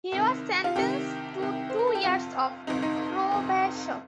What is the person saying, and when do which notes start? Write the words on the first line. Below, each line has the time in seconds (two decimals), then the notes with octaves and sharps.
He was sentenced to two years of probation.
0.12 C2 C3 D#3
0.64 F4
0.76 C2 C3 D#3 G4
1.39 C2 C3 D#3
1.70 C5
1.79 A#4
1.87 A4
1.95 G4
2.03 G1 F2 C3 F4
2.67 G1 F2 C3 D#4
2.82 D#4
3.32 G1 F2 C3